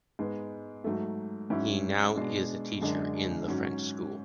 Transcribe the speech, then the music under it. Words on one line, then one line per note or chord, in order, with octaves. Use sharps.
He now is a teacher in the French School.
G#2 G#3 B3
G#2 F#3 A3
G#2 F#3 C#4 E4
B2 G#3 D4
F#2 D3 G#3 D4
G#2 F#3 C#4